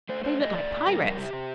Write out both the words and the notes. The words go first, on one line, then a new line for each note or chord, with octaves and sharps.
"They look like pirates."
A3 C5
A3 C5
A3 D#5
A#2 D5
A#2
G3 A#4
F2
C3 G4
C3